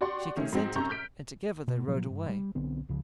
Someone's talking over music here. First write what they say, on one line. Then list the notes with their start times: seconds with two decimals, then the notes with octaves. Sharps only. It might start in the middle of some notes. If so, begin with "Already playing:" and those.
She consented, and together they rode away.
0.01 F#4 G4 D5 F#5 C6 C#6
0.37 D#3 A3 C#4
0.53 G#2 F#3 C4 G5
0.75 F#2 C3 A#5 C#6 G6
0.89 F6 G6 B6 D7
1.68 B2
1.88 A#2 F3 F#3
2.10 G2
2.29 G3
2.55 B1 D3 B3 C4
2.89 C#2 C#3 F3